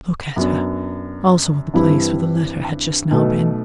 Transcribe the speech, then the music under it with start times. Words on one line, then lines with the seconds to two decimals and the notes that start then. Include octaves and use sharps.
I look at her, also at the place where the letter had just now been.
0.36 F#2 F#3 B3 D4
1.74 G2 E3 G3 C4 E4
3.11 B1 B2 A3